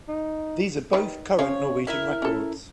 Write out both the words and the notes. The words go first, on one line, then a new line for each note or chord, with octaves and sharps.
These are both current Norwegian records.
D#4
D#3 B4
F3 C#4 C#5 F5
E4 A#4 E5
C#4 A4